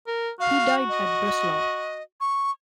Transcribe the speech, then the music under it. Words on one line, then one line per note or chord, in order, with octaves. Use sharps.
He died at Breslau.
A#4
F#4 F5
D#5
C#6